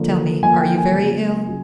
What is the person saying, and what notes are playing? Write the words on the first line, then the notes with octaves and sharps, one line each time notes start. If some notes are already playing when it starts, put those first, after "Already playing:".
"Tell me, are you very ill?"
Already playing: D3 F3 A#3
D3 F3 A#3 G#5
G5
G#5
C#3 F#3 A#3
C#3 F#3